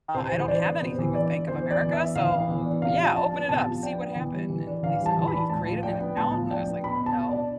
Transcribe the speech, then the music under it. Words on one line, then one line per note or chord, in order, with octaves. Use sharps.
I don't have anything with Bank of America, so, yeah, open it up. See what happened," and they said, "Oh, you've created an account?" and I was like, "No."
C3 C5
E3
C5
D4 D5
B3
C3 C5
E3
D4 D5
B3
E3 C5
B3
D5
E3
E5
D4
E3 F5
B3
E3
D4
C3 F5
F3
D4 A5
B3
C3 A5
F3
D4 G5
B3
E3
G3
E3
D4
E3 F5
G3
A5
E3
B5
D4
A2 A5
F3
D4 G5
B3
A2 A5
F3
D4 G5
B3
B2 B5
B3
A5
B2
D5
D4